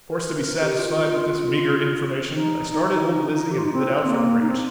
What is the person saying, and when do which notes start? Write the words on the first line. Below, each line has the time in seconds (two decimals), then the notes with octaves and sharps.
Forced to be satisfied with this meager information, I started old Lizzie and lit out for the ranch.
0.10 A#4
0.28 A#4
0.45 A#4
0.62 G4
0.79 F4
2.35 D#4
3.51 G4
3.58 F4
3.66 D#4
3.73 C4
4.07 A#3
4.41 D#4
4.49 C4